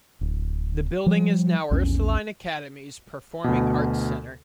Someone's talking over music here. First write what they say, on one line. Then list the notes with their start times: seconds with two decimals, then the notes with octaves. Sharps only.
The building is now Ursuline Academy's Performing Arts Center.
0.21 D1
1.06 F3 G3
1.71 A#1 E2 C#4
3.44 D2 B2